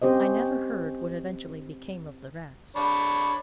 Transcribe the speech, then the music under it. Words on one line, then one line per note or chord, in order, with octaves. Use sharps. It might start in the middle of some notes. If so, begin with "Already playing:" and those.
I never heard what eventually became of the rats.
C4 C#4 G4 C5 D#5
D4 C#5 B5